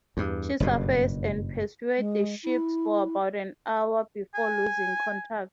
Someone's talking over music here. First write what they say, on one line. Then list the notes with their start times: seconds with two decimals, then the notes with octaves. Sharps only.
She surfaced and pursued the ships for about an hour before losing contact.
0.17 E2 G2
0.60 F#1 G2 B2
1.97 G#3
2.43 E4
4.34 G#5